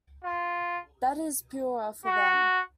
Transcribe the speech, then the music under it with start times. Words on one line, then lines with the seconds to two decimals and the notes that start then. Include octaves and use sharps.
That is purer for them.
0.24 F4
2.05 F#4